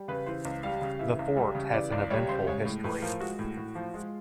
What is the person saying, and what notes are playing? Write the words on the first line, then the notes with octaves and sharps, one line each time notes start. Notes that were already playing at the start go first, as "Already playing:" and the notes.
The fort has an eventful history.
Already playing: G3
C#3 B4
E3 C5
C#2
G3 F5
C#3
E3 E5
C#2
G3
C#3
E3 D5
C#2 D5
G3 C#5
C#3 C5
G#3 C#5
A2
A2 B4
F3 A#4
G#3 F#4
A2
A2
F3
G#3 F4